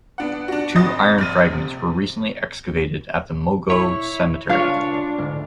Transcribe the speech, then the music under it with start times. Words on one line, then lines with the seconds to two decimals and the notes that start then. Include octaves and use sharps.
Two iron fragments were recently excavated at the Mogou cemetery.
0.18 B3 D4 F#5
0.48 D4 F#4
0.76 G#1 D#5 D#6 A6
1.18 A#1 F6 A6 D#7
1.52 C3
3.70 E4 C#5
4.49 C#2 D4 F4 C#5 F5
5.19 D2 G#2